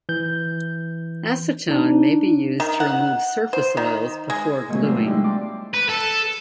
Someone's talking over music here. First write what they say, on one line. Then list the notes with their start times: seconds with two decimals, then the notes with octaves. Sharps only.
Acetone may be used to remove surface oils before gluing.
0.09 E3 G6
1.71 D4 D#4
2.60 D#3
2.80 F#5
3.53 C5
3.77 D#3
4.30 G#3
4.68 A#2 D#3 F#3 G#3 A3
4.83 F#2 C3 D4 C5 E6 F6
5.06 F3 G3 G#3 B3 E4
5.24 A5 C6 D6
5.74 B4
5.89 A4